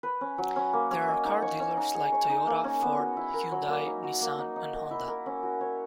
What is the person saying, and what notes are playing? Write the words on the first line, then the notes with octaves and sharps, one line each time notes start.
There are car dealers like Toyota, Ford, Hyundai, Nissan, and Honda.
B4
C#4
F#3
C#4
A#3
C#4
D#5
D#4
C#5
C#4
D#4
G#4
C#5
D#4
A#3
C#4
B3
F#4
E4
A#4
F#3
A#3
D#4
F#4
A#3
D#4
D#4
A#4
E4
A#4
C#4
F#4
C#5